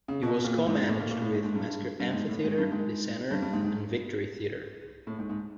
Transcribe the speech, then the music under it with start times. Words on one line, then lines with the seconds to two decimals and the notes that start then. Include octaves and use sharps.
It was co-managed with Mesker Amphitheatre, The Centre, and Victory Theatre.
0.08 C#3
0.23 B2
0.45 A#2
0.66 G#2
0.78 G#2
0.89 A2
1.00 A#2
1.11 A#2
1.22 A2
1.33 G#2
1.45 G#2
1.55 G2
1.99 G2
2.13 G#2
2.29 A2
2.44 G#2
2.58 G2
2.72 G#2
3.31 G2
3.42 G2
3.53 G#2
3.64 G#2
5.07 A2
5.19 G#2
5.29 G#2